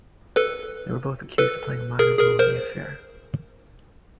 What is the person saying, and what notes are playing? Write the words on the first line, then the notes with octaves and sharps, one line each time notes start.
They were both accused of playing a minor role in the affair.
A4 B4
A4 B4
G#4 A#4
G#4 A#4
A#4 C5